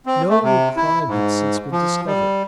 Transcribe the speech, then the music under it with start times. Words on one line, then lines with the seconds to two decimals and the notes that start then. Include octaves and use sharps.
No new crime had since been discovered.
0.06 C4
0.30 A3
0.43 C3
0.77 E4
1.07 G#2
1.71 F3
2.07 G3